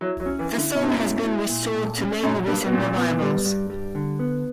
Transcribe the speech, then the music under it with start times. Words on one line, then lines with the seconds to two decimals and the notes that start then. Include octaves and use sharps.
The song has been restored to many recent revivals.
0.01 F#3 E4
0.20 F#3
0.26 C#4
0.39 E3
0.51 E4
0.57 D3
0.75 F#2 B2
0.82 G2
0.90 F#2
1.00 E4
1.24 E4
1.49 A#2
1.74 A#2
1.98 C#4
2.22 F#2 A#2
2.47 G2 A#3
2.66 B2
2.72 A#2 C#4
2.97 B3
3.22 G3
3.45 G2
3.70 G3
3.95 D3
4.19 B3